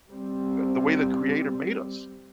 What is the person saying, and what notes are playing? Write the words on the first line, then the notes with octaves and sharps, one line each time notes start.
the way the creator made us,
G3 C4